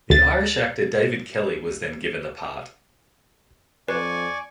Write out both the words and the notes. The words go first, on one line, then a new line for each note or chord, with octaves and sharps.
The Irish actor David Kelly was then given the part.
D2 A6
F2 B4 D5 G#5 C#6